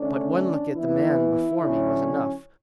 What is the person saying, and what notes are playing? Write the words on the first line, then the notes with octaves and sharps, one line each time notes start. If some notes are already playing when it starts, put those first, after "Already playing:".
But one look at the man before me was enough.
Already playing: D3 A3 C#4 D4
D4
E3 B3 E4
D3 F#3 C#4